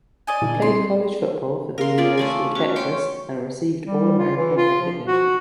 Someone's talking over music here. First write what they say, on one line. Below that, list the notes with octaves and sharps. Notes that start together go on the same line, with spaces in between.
He played college football for the University of Texas, and received All-American recognition.
D5 D#5 G#5
A#2 D3
C2 C6
A#4 F5 C6
F4 G#4 D5
A3 D5 G#5
C#4 F#4
C#5 G5 C6 C#6
G3
F4
E3
F4
F3
F#4